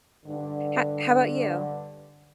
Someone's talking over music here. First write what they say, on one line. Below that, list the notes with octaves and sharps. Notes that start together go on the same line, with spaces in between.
Ho how 'bout you?
G2 D3